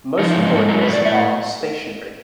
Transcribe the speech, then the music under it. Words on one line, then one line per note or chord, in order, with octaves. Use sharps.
Most colonies are stationary.
F3 D#4
E4
G#2
D#4
G#2 A4
F#3 A#4
B4
A2
D5
A2 E5